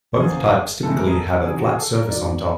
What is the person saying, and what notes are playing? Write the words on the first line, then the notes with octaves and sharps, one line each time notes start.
Both types typically have a flat surface on top.
E2 C#3 F3 A#3 G#4
A2 E3 G#3 A4
A#4
G#4
A4
E2 C3 D#3 G3 G#4
F#4
G#4
A4
A#4
G#2 D#3 F#3 D5